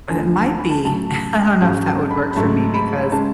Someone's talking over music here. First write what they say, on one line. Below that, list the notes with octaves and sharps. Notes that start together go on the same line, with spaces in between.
but it might be I don't know if that would work for me because
D2 D3 F3 G#5
A5
B5
A5
A2 F#3 C#4 A5
G#2 F#3 C#4 A5
A5
B5
B5
G#2 F#3 A3 A5
B5
C#3 G#3 A5